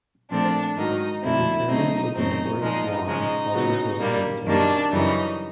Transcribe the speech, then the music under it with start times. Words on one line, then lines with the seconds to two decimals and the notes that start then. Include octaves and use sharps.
His interment was in Forest Lawn - Hollywood Hills Cemetery.
0.30 A#2 F3 A3 C4 D4
0.76 G#2 D#3 F#3 D#4
1.22 F2 D3 F3 A3 C4 E4
1.68 B2 F#3 A3 C4 D#4
2.15 F#2 C#3 E3 A3 C4 D#4
2.61 A#2 F3 G#3 D#4
3.07 C#3 F3 G#3 D#4
3.54 C#3 F#3 B3
4.00 A#2 G3 A#3
4.46 F#2 D#3 G3 A#3 D4
4.92 F#2 C#3 E3 G3 D#4